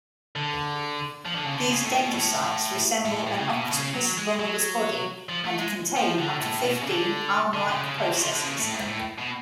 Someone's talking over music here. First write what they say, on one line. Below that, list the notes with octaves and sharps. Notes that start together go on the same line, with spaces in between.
These dendrocytes resemble an octopus bulbous body and contain up to fifteen arm-like processes.
D3
F3
D3
C#3
D3
C#3
A2
B2
A2
A2
A2
C#3
B2
C#3
F#3
G#3
F#3
F3
A3
G#3
F3
D3
A2
B2
C#3
D3
D3
C#3
C#3
D3
F#3
F3
D3
C#3
A2
G#2
A2
B2